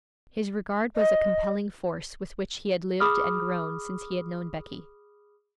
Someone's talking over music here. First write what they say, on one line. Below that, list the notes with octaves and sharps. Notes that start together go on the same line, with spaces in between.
His regard was a compelling force with which he had lived and grown since he had known Becky.
D#5
G#4 B5 D6 D#6 F6